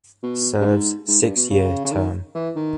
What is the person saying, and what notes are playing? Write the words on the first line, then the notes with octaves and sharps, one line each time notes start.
Serves six year term.
B2
G2
G#2
G#2
G2
B2
C#3
C#3
D#3
E3
D#3